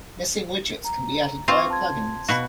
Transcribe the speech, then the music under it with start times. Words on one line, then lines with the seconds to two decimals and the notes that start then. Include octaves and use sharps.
Missing widgets can be added via plugins.
0.85 A#5
1.48 C4 F4 B4 C5 C#6 D6
1.70 A5 C6 G#6
2.28 B2 F#4 F5 B5